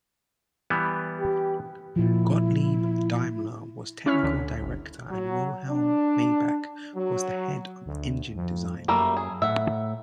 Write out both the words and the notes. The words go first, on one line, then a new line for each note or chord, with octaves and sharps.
Gottlieb Daimler was technical director and Wilhelm Maybach was the head of engine design.
E3 G3 B3
G4
A#2 F3 E4
C#4 E4 C#5 F6 B6
D2 D3
G1
F#3
D4
F#3
D2
F2
F#2 G3 A3 A#3
G#4
A2 E5 F#5